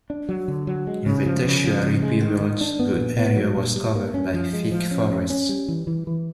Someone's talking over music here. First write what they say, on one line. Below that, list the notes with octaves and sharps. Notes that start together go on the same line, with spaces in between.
In the Tertiary period the area was covered by thick forests.
D4
F#3
D3
F#3
G#3
C#3
F3
C#3
F3
C#3
G#3
D#3
D#3
D4
B3
A#2
B3
F#3
A#2
G3
A#3
C#4
F3
G#3
F3
C#4
C#4
C#4
G3
E3
E3
E3